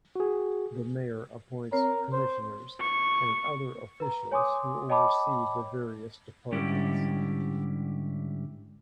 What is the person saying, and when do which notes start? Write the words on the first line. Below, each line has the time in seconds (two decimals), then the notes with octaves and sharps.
The mayor appoints commissioners and other officials who oversee the various departments.
0.16 F#4 G#4
1.72 C4 A#4 C#5
2.12 C5
2.81 C#6
4.00 B4 A#5
4.31 C#5 G#5 C6 D6 D#6
4.89 C#5 D#5 G5 A5 B5 D6
6.52 G#2 D3 G3 C#4 E4 G4